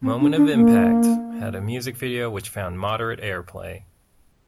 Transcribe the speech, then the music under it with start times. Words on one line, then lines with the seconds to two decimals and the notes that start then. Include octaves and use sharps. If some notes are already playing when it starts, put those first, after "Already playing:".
"Moment of Impact" had a music video which found moderate airplay.
0.02 C4
0.19 D4
0.36 D4
0.52 A#3